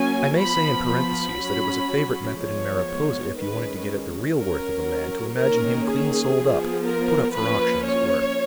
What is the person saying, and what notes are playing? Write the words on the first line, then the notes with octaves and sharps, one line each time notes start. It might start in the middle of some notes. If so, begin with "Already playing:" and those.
I may say in parentheses that it was a favourite method in Mariposa if you wanted to get at the real worth of a man, to imagine him clean sold up, put up for auction, as it were.
Already playing: F#3 A#3 C#4 G#5
F3 B3 B5
B5
F#3 C#4
F3 G#3 B3 C#5
D#3 G#3 C#4 B4
F#3 C#4 A#4
D#3 A#3 C#4 A#4
G#4
F3 B3
A#4
F3 A#3 C#4 B4
C#5